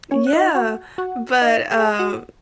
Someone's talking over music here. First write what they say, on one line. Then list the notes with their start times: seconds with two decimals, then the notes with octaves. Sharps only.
Yeah, but, uh,
0.11 C#4 C#5
0.27 F#5
0.33 D#4 D#5
0.55 F#4 F#5
0.98 F#4 F#5
1.42 D#4 D#5
1.71 G#4 G#5
1.99 F#4 F#5